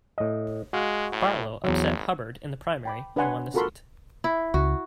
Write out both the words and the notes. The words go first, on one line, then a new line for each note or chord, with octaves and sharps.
Barlow upset Hubbard in the primary and won the seat.
A2 D#5
G#3 F#4 F5 F#5
A2
G#1 E2 F#3
G5 B5 D6
D4 B4 C#5 F#5 G#5 C6
F4 F#4 A4 A#4 B5 C6
E4
C#2 F#4